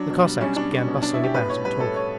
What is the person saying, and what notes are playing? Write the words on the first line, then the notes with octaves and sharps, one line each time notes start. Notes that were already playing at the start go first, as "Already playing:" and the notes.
The Cossacks began bustling about and talking.
Already playing: F#3 D4
B2
G3
G3 C#4
B2 D4
G3
B2
G3 D4
E4
B2 G4
A2 B4
A2 C#5
G3 B4
A2 A4
A2 C#5